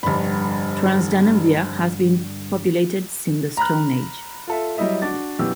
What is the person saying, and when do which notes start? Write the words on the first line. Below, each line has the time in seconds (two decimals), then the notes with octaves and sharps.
Transdanubia has been populated since the Stone Age.
0.03 F1 G2 D3 B5
3.57 A#5 B5 F6 F#6
4.47 F4 A4 E5
4.77 F#3 G3 E4 D#5 E5
5.02 D4 F#4 D6 A6
5.39 F#2 B2 E3 G4 E6